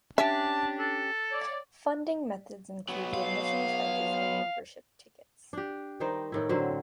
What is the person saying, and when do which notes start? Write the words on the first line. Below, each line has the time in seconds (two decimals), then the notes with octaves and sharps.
Funding methods include the admission charges and membership tickets.
0.18 C#4 D4 G4 E5 A5
0.79 A4
1.31 C#5 D5
2.89 F#3 B3
3.13 F5
5.53 D4 G4
6.00 D#3 G3 D#4 C5
6.32 A2 D#3 E4
6.49 D3 F#3 C4